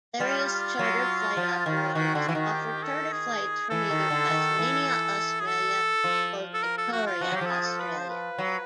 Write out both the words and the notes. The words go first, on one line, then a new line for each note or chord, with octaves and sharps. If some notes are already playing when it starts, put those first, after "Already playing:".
Various charter flight operators offer charter flights from either Tasmania, Australia or Victoria, Australia.
G3 F4
F#3
F3
D#3
D#3 F#4
D3
E3
D#3
G4
A4
G#4
E3 A4
D#3
D3
D#3
E3
G#4
A4
F3
A4
A#4
A4
F#4
F4
F3 F#4
F#3
G4
F3 A4
G#4
A4
B4
C5
B4
F#3